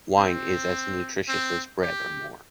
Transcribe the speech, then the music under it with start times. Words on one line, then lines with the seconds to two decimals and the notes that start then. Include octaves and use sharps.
Wine is as nutritious as bread, or more.
0.18 C4
1.29 C4
1.82 G4